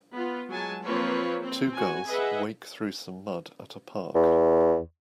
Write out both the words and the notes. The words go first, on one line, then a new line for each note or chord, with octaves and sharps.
Two girls wake through some mud at a park.
B3 F4
F#3 G#3 G#5 A5
F3 A#3 C4 F4 B4 C#5
C4
F#4 G#5
G#4 B4 D#5 E5 F#5
E2